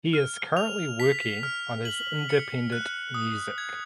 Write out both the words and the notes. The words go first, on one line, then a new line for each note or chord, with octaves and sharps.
He is currently working on his independent music.
F6
F7
B6
F6
F#7
C#7
F#6
D#6
G#6